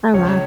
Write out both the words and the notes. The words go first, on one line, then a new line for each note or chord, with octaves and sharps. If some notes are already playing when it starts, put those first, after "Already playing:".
Oh, my.
C#2 C#5